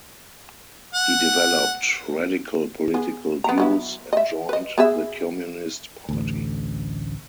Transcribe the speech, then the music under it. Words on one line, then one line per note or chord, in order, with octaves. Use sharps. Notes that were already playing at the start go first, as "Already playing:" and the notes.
He developed radical political views, and joined the Communist Party.
F#5
B3 G#4
B3 A#5
F#3 B3 E4
D#5 E5
B4 D#5
B3 G#4 E5
A1 D2